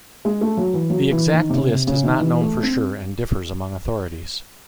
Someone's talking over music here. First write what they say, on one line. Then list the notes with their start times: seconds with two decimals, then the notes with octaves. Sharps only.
The exact list is not known for sure and differs among authorities.
0.25 G#3
0.41 A3
0.57 F#3
0.74 E3
0.90 F#3
1.11 E3
1.33 D#3
1.50 C3
1.55 C#3
1.71 C3
1.87 C#3
2.04 D#3
2.20 E3
2.42 A3
2.63 C4